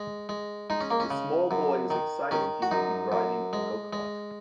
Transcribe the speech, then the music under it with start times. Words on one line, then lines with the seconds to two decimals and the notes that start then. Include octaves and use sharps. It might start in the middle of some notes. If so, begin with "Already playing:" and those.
The small boy is excited he will be riding a gocart.
Already playing: G#3
0.29 G#3
0.70 G#3 D#4
0.81 C#4
0.91 A#3
1.00 C#4
1.11 C#3
1.51 F#2
1.90 D#3
2.31 D#3 C#4
2.62 F#4
2.71 F#2 D#4
3.12 F#2
3.53 G#3
3.93 G#3